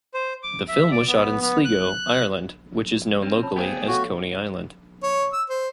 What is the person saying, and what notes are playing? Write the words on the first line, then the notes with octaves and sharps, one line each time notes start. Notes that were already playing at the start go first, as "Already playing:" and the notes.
The film was shot in Sligo, Ireland, which is known locally as "Coney Island".
C5
D6
E5
D5
B3
B3
F#6
C4 C#4
C#5 A5 B5
A3 B3 G4 G#4 A#4 C5 F5 G5
F#4 A4 C#5 F5
C#5
E6
C5